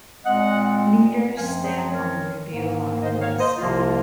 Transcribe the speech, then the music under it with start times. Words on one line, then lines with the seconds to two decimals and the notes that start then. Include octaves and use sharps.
Leaders stand on the review line with the staff.
0.25 A#2 G#3 C4 D#5 F#5
1.36 F#2 F3 C4 F5 G#5
1.63 G#4 C5
1.92 A#4 C#5
2.47 G#2 D#3 A#3
3.02 C5 D#5
3.21 C#5 F5
3.39 C5 D#5
3.58 C2 C3 F3 A#3 F4
3.77 F4